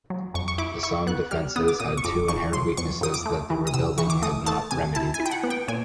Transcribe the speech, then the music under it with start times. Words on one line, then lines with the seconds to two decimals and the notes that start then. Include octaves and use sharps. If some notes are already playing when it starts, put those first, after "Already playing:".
The Somme defences had two inherent weaknesses that the rebuilding had not remedied.
0.10 F#3
0.34 F2 C#6
0.48 C#6
0.58 E4 D6
0.83 E4 C#6
1.07 B3 F#6
1.31 G3 F6
1.56 B3 D#6
1.68 D6
1.80 A#2 D#6
1.97 C#6
2.04 F2 D6
2.28 F2 C#6
2.52 F#3 C6
2.77 F2 C#6
3.01 F2 D#6
3.14 D6
3.26 A3
3.50 E3
3.67 D#6
3.74 C3 E6
3.98 E3 C#6
4.10 D6
4.22 A3 D#6
4.46 A3 A5
4.71 C3 G#5
4.95 E4 A5
5.14 G#5
5.20 E4
5.26 G5
5.31 F#5
5.43 B3
5.50 G5
5.68 A#2 G#5